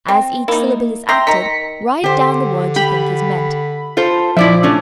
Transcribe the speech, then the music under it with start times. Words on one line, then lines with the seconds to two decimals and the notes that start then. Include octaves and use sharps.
As each syllable is acted, write down the word you think is meant.
0.08 C4
0.48 A#3 D#4 E4
1.09 E5 G5 A#5 C6
1.27 D#3 A#5 B6 C#7
2.04 D3 G4 C5
2.76 G4 B5
3.97 F4 A4 C5
4.37 A#2 F3 E4 D5 E5
4.63 A3 C#4 D4